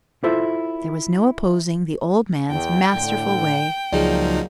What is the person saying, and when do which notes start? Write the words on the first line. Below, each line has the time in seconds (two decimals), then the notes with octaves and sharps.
There was no opposing the old man's masterful way.
0.23 E4 F4 A4 C5 E5
2.50 E2 G5
2.94 A2 D3
3.93 C#2 F3 F#3 A#3 D#4 G#4 D5